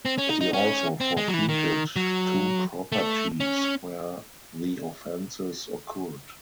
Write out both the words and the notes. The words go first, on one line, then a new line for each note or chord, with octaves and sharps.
He also forfeited two properties where the offences occurred.
C4
C#4
D#4
D#4
C#4
C4
G#3
F#3
E3
D#3
F#3
A3
C#4